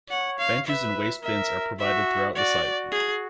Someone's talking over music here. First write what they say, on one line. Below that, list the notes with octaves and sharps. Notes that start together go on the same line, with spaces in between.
Benches and waste bins are provided throughout the site.
C#5 F#5
F5
B4 E5
A#4 E5
F#4 E5
F#4 D5
F#4
G#4